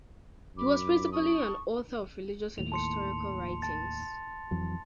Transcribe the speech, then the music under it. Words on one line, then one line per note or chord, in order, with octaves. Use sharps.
He was principally an author of religious and historical writings.
F#2 B5 D6
A5 C#6 D#6
D#2 A2 F7
A5 C6 C#7
A5 A6
F2 E3 F#3